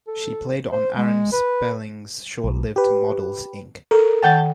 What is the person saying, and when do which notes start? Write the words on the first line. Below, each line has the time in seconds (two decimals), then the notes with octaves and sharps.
She played on Aaron Spelling's short-lived "Models, Inc.".
0.07 A4
0.72 C5
0.97 G#3
1.32 B4
2.44 B1
2.76 G4 B4
3.91 A4 A#4
4.22 D#3 F#5 G5 A5 G6 A6